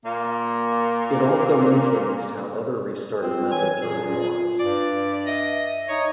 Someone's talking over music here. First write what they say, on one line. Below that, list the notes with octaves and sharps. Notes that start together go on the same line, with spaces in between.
It also influenced how other restarted methods are analyzed.
A#2 A#3
C4 F4
E3 C#5 G#5
A#2 F4 G#4
G2 D5
D#5 E5
D#4 C#5 D#5